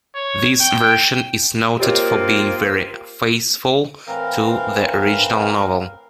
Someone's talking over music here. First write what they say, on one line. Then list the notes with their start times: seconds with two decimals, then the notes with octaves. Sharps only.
This version is noted for being very faithful to the original novel.
0.15 C#5
0.61 G5
1.80 A#3 C4 F4 G4 C#5 D#5
4.08 A2 E3 C4 A#4 F5